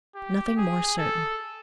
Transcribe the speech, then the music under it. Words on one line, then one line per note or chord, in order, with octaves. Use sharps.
Nothing more certain.
G4
G#4
A4